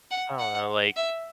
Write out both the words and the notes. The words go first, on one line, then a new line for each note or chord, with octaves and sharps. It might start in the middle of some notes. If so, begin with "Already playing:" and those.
I don't know, like,
F#5
F#5
E5